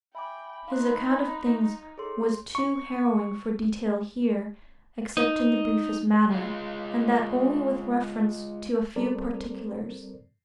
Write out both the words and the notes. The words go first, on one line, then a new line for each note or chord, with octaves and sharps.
His account of things was too harrowing for detail here, except in the briefest manner, and that only with reference to a few particulars.
E5 G5 G#5 B5 D6
D#4 F5 C6 F#6
G#4 A4 C#5 C6
C#6
D#4
G#3 F4
G3 C4 A4 A#4 C5 D5